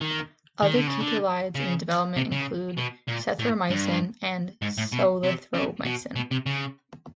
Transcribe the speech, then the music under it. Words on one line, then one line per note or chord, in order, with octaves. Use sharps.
Other ketolides in development include cethromycin and solithromycin.
D#3
D#3
D3
C#3
D3
C#3
C3
C#3
B2
A#2
A2
G2
G#2
A2
B2
C3
C#3
B2
B2
C3
C#3